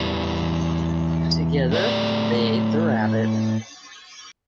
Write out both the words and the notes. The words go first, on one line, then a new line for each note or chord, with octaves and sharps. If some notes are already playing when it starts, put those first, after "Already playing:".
Together they ate the rabbit.
Already playing: E2 E3 G3
A2 A3 G4 D5